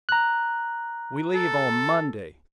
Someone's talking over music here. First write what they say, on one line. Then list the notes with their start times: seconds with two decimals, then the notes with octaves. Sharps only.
"We leave on Monday."
0.09 A#5 F#6
1.34 A4